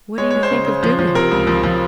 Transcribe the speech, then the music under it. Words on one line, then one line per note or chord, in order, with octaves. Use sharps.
'What do you think of doing?'
G#3 C#5
C#5
G#3
C5
C#3
C#3
F3
F3
C3 A#4
C#2
F3
F3